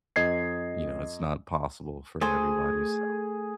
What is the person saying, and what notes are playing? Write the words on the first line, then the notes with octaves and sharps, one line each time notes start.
you know, it's not possible for everybody, so
F2 D#5 G#6 C7
A3 G#4 A4 C5